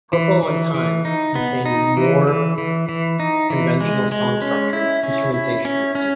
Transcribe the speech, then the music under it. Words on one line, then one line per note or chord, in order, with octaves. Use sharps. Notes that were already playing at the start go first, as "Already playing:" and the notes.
Purple on Time contained more conventional song structures, instrumentation and singing.
E3
E3
E3
D#4
B3
D#4
E3
E3
E3
E3
D#4
E3
G#3
G#3
C#4
E4
C#4
E4
C#4
C#4